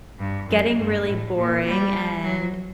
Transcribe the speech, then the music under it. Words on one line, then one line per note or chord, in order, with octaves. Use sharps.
getting really boring, and
G2
F#2
G2
A2
A#2
G3
F#3